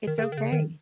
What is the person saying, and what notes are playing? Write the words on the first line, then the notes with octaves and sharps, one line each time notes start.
It's okay.
D#3
D#3
C#3
D#3
C#3
D#3